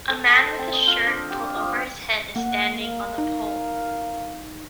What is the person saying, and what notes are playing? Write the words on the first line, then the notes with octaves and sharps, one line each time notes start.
A man with his shirt pulled over his head is standing on a pole.
A4
A5
C5
C4
D#5
F4
D4
G4
D5
F3
C4
A#3 F#5
A#4 F5
D#4